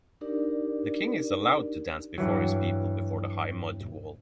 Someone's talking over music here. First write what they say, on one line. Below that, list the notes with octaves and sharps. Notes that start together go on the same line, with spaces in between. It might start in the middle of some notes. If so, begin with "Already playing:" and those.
The king is allowed to dance before his people before the high mud wall.
D4 D#4 G4 A#4 D5
G2 E3 F#3